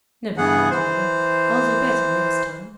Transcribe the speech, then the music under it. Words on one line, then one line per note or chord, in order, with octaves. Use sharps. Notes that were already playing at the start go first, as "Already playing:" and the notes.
'Never mind, Mother; I'll do better next time.'
G2 E3 B3 G#4 F#5
E3 C5